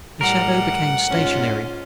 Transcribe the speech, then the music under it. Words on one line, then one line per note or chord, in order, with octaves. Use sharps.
The shadow became stationary.
A2 G3 A#4 F#5
G#2 C#4 F4